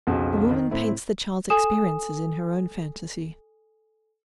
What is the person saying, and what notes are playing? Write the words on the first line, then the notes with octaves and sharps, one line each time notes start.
The woman paints the child's experiences in her own fantasy.
B1 F2 C#3 F#4
D#3
A2 C4 E4
A4 G#5 D#6 E7